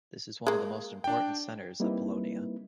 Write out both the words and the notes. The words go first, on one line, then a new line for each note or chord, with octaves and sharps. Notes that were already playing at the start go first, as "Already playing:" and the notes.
This is one of the most important centers of Polonia.
G#3 A#3
D4 G5
G3 A#3 C4 D#4 E4 B4